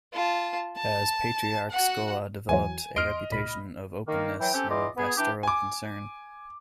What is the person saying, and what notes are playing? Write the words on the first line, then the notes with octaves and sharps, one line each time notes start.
As patriarch Scola developed a reputation of openness and pastoral concern.
F4 A5
A5
F#4 F#5
E2 E3 F#3 G#5
E2 D#5 C6 F6 D7
C#2 A#2 B5
D#3 A#3
E3 F#3 G5
C4 C#4 G4 A4
E2 F4 D#5 D6
B3 G#4
E3 D4 G4
G#5 D6